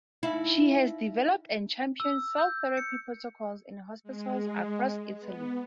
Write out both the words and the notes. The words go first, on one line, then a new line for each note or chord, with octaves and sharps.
She has developed and championed cell therapy protocols in hospitals across Italy.
D#4 E4 E5 F5
E6
G6
C#7
G#3
B3